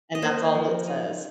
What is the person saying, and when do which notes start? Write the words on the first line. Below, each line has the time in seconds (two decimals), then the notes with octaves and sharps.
and that's all it says.
0.15 D#5
0.22 A#3 C5
0.55 F3
0.88 D#4